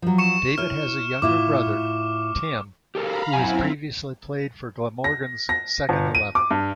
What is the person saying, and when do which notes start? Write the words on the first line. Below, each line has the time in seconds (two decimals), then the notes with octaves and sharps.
David has a younger brother, Tim, who has previously played for Glamorgan's second eleven.
0.02 F3 F#3
0.18 C#6 C#7 E7
0.58 E4 C#5 F6
1.22 A2 E4 F4 D6
2.95 G4 A4 A#4 F5 A#5 B5
3.33 F#2 C4 E4 F#5 G#5
5.04 A#6
5.49 A#6
5.89 G1
6.15 D#7
6.35 D6
6.51 G2